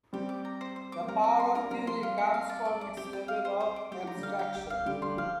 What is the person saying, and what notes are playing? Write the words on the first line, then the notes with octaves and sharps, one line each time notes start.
The power of the theory comes from its level of abstraction.
G3 C4 G4
D6
A#5
C5
C5
D6
A#3
G3 C4 A#4
A#4
C6
A#3 D4 A#4
G3 C4 A#4
F3 A#3 C6
G3 C4 F4
A#5
F5
D5
D5
D6
G3 C4 G4
G4
F5
C5
C5
D6
G3 G4
F3 A#5
D3 G3
F5
G4
G4
F5
D3 G3 G4
D3 G3 C6
F3 F5